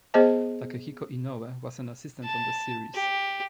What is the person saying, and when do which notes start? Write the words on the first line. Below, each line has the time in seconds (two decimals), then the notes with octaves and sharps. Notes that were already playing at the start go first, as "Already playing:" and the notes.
Takehiko Inoue was an assistant on the series.
0.14 B3 G#4 C5 D#5 A5
2.24 A5
2.95 G4